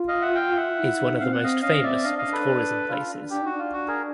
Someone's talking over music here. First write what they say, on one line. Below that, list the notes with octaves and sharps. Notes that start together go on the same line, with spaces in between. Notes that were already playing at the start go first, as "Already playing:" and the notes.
Is one of the most famous of tourism places.
Already playing: F4
D#5 F5
E5 F#5
F5 G5
E5 F#5
E4
D#4
C4 F5
F#5
C4 D#5 F5
C#4 D#5 F5
C4 D5 E5
D4 D#5 F5
D#5 F5
D4
A4 B4
F4
D4 G4
D#4 F#4
D4
F4
F#4
G#4 A#4